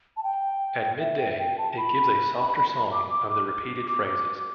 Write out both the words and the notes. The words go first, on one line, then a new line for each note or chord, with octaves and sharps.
At midday it gives a softer song of repeated phrases.
A5
G5
E5
G5
E5
G5
A5
B5
D6
D6
D6